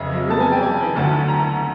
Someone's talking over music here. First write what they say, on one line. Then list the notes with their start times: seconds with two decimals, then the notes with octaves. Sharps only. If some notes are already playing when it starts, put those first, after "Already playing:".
I really thought that he would maybe,
Already playing: F1 F2 C#3 F#3 D#5 E5
0.30 A5
0.41 G#5
0.52 G5
0.62 G#5
0.95 D2 D3 F#3 A3 A5
1.28 A#5